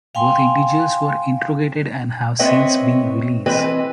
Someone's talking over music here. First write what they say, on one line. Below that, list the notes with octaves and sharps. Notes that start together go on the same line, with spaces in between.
Both individuals were interrogated and have since been released.
F5 G5 G#5 C6
C4 B4 C#5 D#5 E5
E3 C4 B4 D#5